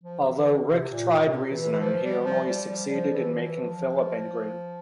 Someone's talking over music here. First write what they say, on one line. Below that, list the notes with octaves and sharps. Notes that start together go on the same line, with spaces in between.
Although Rick tried reasoning, he only succeeded in making Phillip angry.
F3
E3
D3
C3
A#2
C3
E3
E3
F3
G3
F3
G3
G3
F3
E3
E3
F3